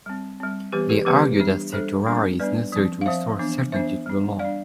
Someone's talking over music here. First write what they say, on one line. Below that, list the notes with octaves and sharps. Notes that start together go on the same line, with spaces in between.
They argue that certiorari is necessary to restore certainty to the law.
G3 C4
G3 C4
E3 G3 B3 G4 B4
G4 B4
E3 G3 B3 G4 B4
G3 D4
G3 D4 A4 C5
G3 B3 D4
G3 B3 D4 B4 D5
F3 C4
F5
F3 C4 C5 E5
E3 B3 D4
E3 B3 D4 C5 E5
G3 D4
G3 D5 F5
D4